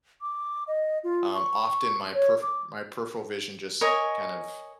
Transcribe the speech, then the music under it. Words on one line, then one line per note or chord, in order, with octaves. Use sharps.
Um, often, my perf my peripheral vision just kind of,
D6
D#5
F4
C#6
C#5
D6
A#4 C#5 D#5 G#5